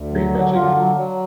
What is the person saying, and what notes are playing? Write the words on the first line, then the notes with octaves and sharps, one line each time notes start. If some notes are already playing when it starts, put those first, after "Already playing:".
Korean fried chicken.
Already playing: D2
F#3
D3
D3 F4
F#3
F#3